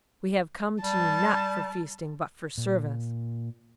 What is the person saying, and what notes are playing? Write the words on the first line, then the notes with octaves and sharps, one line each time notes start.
We have come to you not for feasting but for service.
G3 A5
A#2